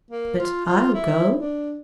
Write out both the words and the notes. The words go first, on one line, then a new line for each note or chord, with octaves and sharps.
But I'll go.
A#3
F4
F4
E4
D4